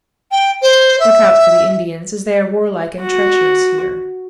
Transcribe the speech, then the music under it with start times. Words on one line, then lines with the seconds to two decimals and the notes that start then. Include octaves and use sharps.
Look out for the Indians, as they are warlike and treacherous here.
0.31 G5
0.62 C5
0.99 E5
3.02 F#4